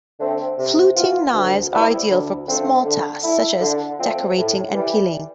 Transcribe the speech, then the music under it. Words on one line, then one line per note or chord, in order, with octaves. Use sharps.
Fluting knives are ideal for small tasks such as decorating and peeling.
D3 A3 C4
C3
E3 B3 F4
D2
C3 G3 B3 E4
D2
D3 F3 A3 C4
D3
A3 E4
D3
F3 A3 C4
A2
E3 G3